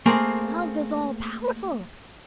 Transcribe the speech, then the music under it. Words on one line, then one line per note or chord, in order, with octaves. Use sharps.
Love is all-powerful.
A3 A#3 C4 G#4 A#4 C5